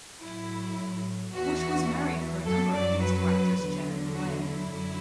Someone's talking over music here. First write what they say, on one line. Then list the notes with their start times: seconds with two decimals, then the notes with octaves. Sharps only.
Busch was married for a number of years to actress Janet Blair.
0.20 A2 F#3 E4
1.32 E2 E3 F#4
2.45 F#2 F#3 A4
2.73 D5
3.00 B4
3.57 E2 D3 F#3
4.13 F#4
4.41 E4
4.69 F#2 D3 F#3